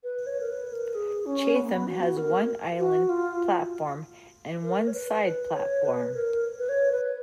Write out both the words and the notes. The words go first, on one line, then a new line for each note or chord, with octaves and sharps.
Chatham has one island platform and one side platform.
B4
C#5
A#4
B4
A#4
G#4
C#4
B3
A#3
B3
F#4
A#4
F#4
F4
A#4
C#5
B4
B4
C#5
B4
A#4
B4
C#5
B4